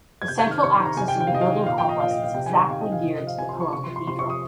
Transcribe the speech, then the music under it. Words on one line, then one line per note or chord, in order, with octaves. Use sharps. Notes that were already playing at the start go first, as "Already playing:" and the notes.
The central axis of the building complex is exactly geared to the Cologne Cathedral.
G#6
C3 G6
G#6
D#3
F6
C3 C#6
C6
D#3
A#5
C3 G#5
G5
D#3
G5
F5
C3 D#5
F5
D#3
A#2 F5
G5
F3
D#5
A#2 F5
D#5
F3
F5
C3 G5
G#5
D#3
C3 F5
D#3 D#5
F5
C3 D#5
D#5
F3
F5
C3 G#5
C6
F3 C#6
C3 C#6
C6
F3
C6
C3 C6
C#6
F3
D#6